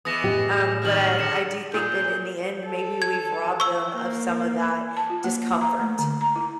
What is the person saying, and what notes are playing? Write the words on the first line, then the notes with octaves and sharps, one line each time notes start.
um, but I I do think that in the end, maybe we've robbed them of some of that discomfort.
E3 G#3 B3 D#6 A#6 E7
A2 G4 D#5
D#3 F3 G#3 F6 F#7
D3 A#6 C#7 E7
A#2 G#4 G6
A4
G#6
C#6 E6
A#3
A5
F4
A#3
A#5
A3
D3
A#5
E4